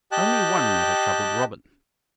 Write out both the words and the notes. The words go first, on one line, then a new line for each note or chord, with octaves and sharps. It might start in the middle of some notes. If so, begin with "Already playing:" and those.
Only one matter troubled Robin.
G4 D#5 G5 A5 F#6